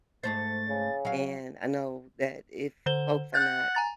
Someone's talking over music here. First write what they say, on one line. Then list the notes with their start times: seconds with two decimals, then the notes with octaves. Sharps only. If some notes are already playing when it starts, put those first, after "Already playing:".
And I know that if folks are not
0.23 G#2 A3 C5 A6
0.68 C#3
1.05 F#3 F5
2.86 D3 C5 G7
3.34 F#5 F#6 G6 A6
3.75 G#5 A#5 A6